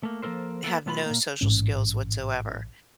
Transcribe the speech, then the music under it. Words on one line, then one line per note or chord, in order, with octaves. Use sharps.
have no social skills whatsoever,
A3 A#3
F3 A#3 D4 A4 A#4 C5
A#3 B3 A4
B1 A3 B3 F4 A#5 B5
A#2 A#3
A1 G#2 C#4